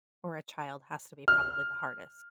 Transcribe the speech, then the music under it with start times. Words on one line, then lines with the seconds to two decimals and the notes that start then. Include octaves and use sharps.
or a child has to be probably the hardest.
1.28 F6